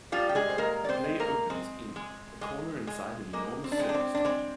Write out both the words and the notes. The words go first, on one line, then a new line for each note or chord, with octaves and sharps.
The play opens in "a corner inside an enormous circus tent".
F3 G3 F4
G4
G#3 G#4
C5
G#3 A#3 A#4
D5
C4 C5
G#3
A#3 A#4
G#3 C4
G#3
G#3
G#3
G#3 A#3
C4
D4
G#3 C4
D4
C4
D4
G#3 C4